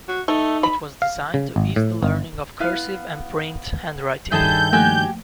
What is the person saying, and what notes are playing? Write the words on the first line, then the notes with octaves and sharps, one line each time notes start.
It was designed to ease the learning of cursive and print handwriting.
F#4
A3 D#4
B5
F5
C#3
G#1
A2
G1
B3 E4 F5
G2 D#3 E4 G#4 A4 A5 G6
F3 A3 A#3 F#4 G4 G#5